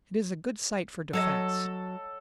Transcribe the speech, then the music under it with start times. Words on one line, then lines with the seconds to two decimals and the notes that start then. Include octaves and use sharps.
It is a good site for defense.
1.13 F#3 A4 C#5 D#5